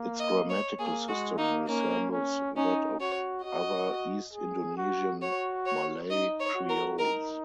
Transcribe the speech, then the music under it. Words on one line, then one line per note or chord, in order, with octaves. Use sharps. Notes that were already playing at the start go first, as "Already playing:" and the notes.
Its grammatical system resembles that of other East Indonesian Malay Creoles.
Already playing: A#3
D#5
C#5
A#3 G#4
G#3 F#4
A#3 D#4
A#3 C#4
C#4
C#4 D#4
F#4 C#5
F#4 D#5
G#4
F#4
F#4 C#5
C#5
D#4 D#5
C#5
F#4
A#4
D#4 A#4